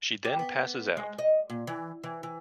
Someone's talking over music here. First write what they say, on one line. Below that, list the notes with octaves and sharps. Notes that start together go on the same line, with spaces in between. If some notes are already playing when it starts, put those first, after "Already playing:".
She then passes out.
G4
B3
G#3
D#5
A#2
E3
E3
E3